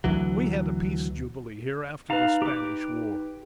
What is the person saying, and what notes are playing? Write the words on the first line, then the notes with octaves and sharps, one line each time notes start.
We had a Peace Jubilee here after the Spanish War.
D2 E3 F#3
D#4 B4 F5 A#5
G4 D6